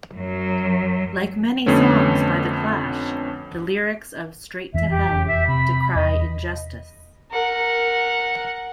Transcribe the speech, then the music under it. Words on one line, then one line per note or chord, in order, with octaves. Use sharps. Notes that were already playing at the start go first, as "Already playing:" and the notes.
Like many songs by the Clash, the lyrics of "Straight to Hell" decry injustice.
F#2 F#3
F2 D3 A3 B3 C#4
E1 F2 E3 E5
G4
E5
C3 B5
E2 D#5
A#4 F#5